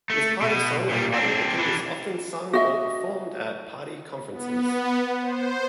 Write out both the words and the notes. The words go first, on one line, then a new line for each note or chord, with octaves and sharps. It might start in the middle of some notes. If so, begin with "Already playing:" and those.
This party song or party anthem is often sung or performed at party conferences.
A3
B2
A#2 G3
C4 D4
E3 D4
F#4 D#5 E5
B3
C5